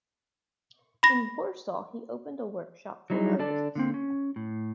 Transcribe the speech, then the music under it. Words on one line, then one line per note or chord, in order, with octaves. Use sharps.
In Warsaw he opened a workshop for artists.
B5 A#6
F#3 G3 D#4 E4 G4 G#4
D3 D4 A4 D5 A5
D3 A#3 C4
C#4
A2